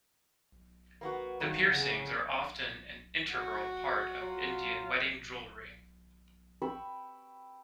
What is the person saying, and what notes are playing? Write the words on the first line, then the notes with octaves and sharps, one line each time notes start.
The piercings are often an integral part of Indian wedding jewelry.
A#3 B3 F#4
G2 D#3 F#3
C#3 F#5
F#4
F#3 F4
G5 B5 C#6 E6